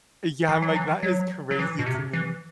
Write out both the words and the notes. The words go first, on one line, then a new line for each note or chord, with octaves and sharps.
Eh, yeah, I'm like that is crazy to me.
E3
F#3
E3
F#3
F#3
E3
B2
C3
E3